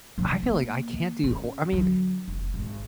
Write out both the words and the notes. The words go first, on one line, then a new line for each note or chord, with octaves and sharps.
I feel like I can't do hor I mean,
C3 F3
A#3
C#3 C#4
D3 F#3
F1
G#1